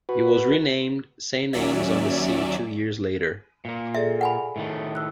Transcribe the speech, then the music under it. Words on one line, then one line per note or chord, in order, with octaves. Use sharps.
It was renamed Saint Annes-on-the-Sea two years later.
F#4 B4
D#2 F#3 C#4 D5 E5
A#2 A#3
G#4 A4 D5 E5
F#5 G#5 B5
A2 D#3 A3
E6 F#6